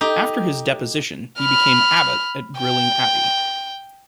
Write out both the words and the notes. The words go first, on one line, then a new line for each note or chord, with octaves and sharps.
After his deposition, he became abbot at Gilling Abbey.
D#4 G4 A4 D#5
B5 F6
G5